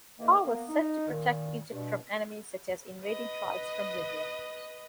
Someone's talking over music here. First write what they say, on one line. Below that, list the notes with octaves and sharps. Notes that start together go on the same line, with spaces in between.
Ha was said to protect Egypt from enemies such as invading tribes from Libya.
D#3 E3 A3 A#3
A#3 B3
D#4
A#2 D#3
G2 B2
B4 D#5